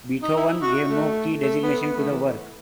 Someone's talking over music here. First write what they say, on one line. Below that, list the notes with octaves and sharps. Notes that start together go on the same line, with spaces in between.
Beethoven gave no key designation to the work.
D#4
E4
F#4
A3
A3
B3
B3
A3
E3